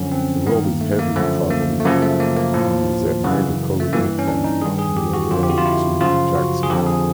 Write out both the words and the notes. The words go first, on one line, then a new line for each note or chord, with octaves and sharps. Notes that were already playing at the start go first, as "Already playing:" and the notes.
The road is heavily traveled, and is a major corridor from Laurel to Jackson.
Already playing: F#2 D3 F3 C#4
C4
G2 B3
D#3
A#3
A3
A#3
F#2 D3 F3 A3
A#3
A3
F#2 C#3 F3 A#3
A3
A#3
A#3
A2 F3
F#2 C#3 E3
A3
G2 E3 A#3
C#4
D4
D#4
G2 D#3 G#4
G#4
G4
F#4
F2 D3 F3 F4
G4
F#4
F4
E4
F#2 C#3 F3 F4
F#4
G#4
F2 D3 F3 G4
G#4